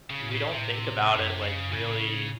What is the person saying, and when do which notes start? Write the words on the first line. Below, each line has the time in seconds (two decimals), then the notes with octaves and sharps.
we don't think about it, like, really
0.10 C#3
0.20 A2
0.31 C#3
0.51 A2 C3
1.11 F#2 C3
1.42 C#3
1.71 A2 C#3